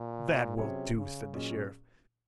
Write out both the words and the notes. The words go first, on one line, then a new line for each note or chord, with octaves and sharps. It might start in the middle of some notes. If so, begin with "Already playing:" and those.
"That will do," said the Sheriff.
Already playing: A#2
C3 F#3 C#4 G#4 C#5
C#3
A#2 F#3 C#4 G#4 D#5